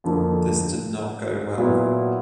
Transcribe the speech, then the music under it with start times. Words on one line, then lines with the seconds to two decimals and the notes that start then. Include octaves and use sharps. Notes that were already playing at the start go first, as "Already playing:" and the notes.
This did not go well.
0.04 F2 D3 F3 A#3
1.58 A#2 F#3 B3 E4